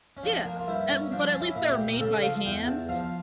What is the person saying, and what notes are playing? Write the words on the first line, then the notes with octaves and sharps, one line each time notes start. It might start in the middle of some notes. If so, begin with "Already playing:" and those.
Yeah, and but at least they're made by hand,
C#4
F3 D4
A#3
F4
G2 E4
C#4
F3 D4
C#4
E4
A#2
G4
A#2
A#4
C#3 A4
F3 F5
E2 G5
E2 A5
F3 F5